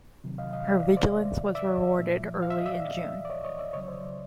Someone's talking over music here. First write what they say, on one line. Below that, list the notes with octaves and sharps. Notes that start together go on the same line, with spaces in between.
Her vigilance was rewarded early in June.
C3 D#3 F#3
D#5 F5
D#5 F5
D5 E5
C5 D5
D5 E5
A#2 F3
F5
E5
D#5
D5 E5
D5
C#5 D#5
C#5 D#5
D5 E5
C#3 F#3 C#5 D#5
C5 D5